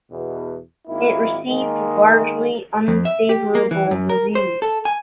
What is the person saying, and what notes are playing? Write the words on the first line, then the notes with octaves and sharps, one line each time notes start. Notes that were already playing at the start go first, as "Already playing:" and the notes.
It received largely unfavorable reviews.
E2 B2
G#1 D#3 A#3 E4
D#3 G#3 A#3
F2
E5
G4
A#3
E3
F#2
A#4
C5
A4
G#5